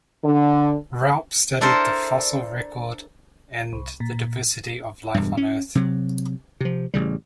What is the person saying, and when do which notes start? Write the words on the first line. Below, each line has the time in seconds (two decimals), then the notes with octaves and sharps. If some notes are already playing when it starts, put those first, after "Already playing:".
Raup studied the fossil record and the diversity of life on Earth.
0.24 D3
1.61 D4 E4 A4 A#4 C5
3.73 C2
4.00 A#2
5.14 E1 G2
5.37 C#4
5.75 C3 F#3
6.60 C3 F3
6.94 A1 C#3 G3